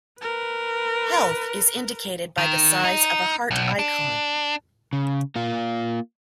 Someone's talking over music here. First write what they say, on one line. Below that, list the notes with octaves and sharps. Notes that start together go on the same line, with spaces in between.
Health is indicated by the size of a heart icon.
A#4 B4
D#3
D#4
B1
D4
C#3
A#3 F4